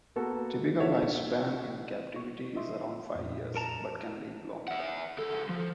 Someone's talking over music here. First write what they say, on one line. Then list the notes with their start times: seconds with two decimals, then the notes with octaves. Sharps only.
Typical lifespan in captivity is around five years, but can live longer.
0.16 A#3 B3 F#4 A4
0.80 F4 A4 C5 C#5 E5 F#5
2.16 C#6
2.56 D#5 E5 C6
3.15 F2 A#2
3.56 A#4 A5 A#5
4.68 E5 F#5
5.18 C#2 A4
5.49 F3